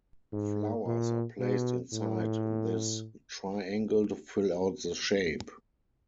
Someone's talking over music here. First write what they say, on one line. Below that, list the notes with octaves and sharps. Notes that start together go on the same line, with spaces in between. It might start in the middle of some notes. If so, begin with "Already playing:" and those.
Flowers are placed inside this triangle to fill out the shape.
G#2
A#2
B2
A2